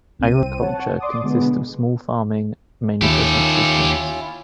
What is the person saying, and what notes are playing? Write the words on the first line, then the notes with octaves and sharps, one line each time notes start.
Agriculture consists of small farming, mainly for subsistence.
C2 C4 D#7
C#5 F#5 A5
D5 C6 D6 D#6
B2 D3 G#3 B3
D#2 C#4 E4 F4 G4 A4